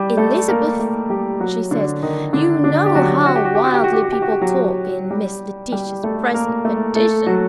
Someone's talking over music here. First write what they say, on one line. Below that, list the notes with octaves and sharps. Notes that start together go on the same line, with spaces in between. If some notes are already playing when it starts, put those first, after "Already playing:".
'Elizabeth,' she says, 'you know how wildly people talk in Miss Letitia's present condition.
Already playing: G3 G4
A3 A4
A#3 A#4
A3 A4
G3 G4
F#3 F#4
D3 D4
D#3 D#4
D3 D4
D3 D4
G4
F#3 F#4
F#4
G4
F#4
G4
F#4
G4
F#4
G4
F#4
G4
F#4
G4
F#3 F#4
G3 G4
G3 G4
A3 A4
A#3 A#4
A3 A4
A3 A4
F#3 F#4